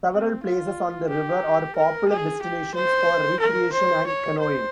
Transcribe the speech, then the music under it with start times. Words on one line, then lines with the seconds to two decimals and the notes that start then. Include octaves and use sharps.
Several places on the river are popular destinations for recreation and canoeing.
0.11 C4
0.43 F4
1.09 G4
1.76 A#4
2.09 G#4
2.42 G4
2.75 C5
3.40 A#4
3.73 C5
4.07 C#5
4.39 C5